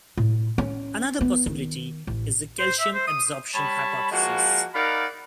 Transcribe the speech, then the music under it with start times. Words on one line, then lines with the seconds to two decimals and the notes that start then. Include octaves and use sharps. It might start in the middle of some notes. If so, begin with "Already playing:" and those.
Another possibility is the calcium absorption hypothesis.
0.17 A2
0.58 C#4
1.21 B3
1.46 D#3
2.07 A1
2.59 C5
2.80 E5
2.95 C5
3.08 D#6
3.55 G3 C#5 A5 B5
4.11 F3 G#3 A#3 F#4
4.74 D#4 A#4 D5 F5 F#5 B5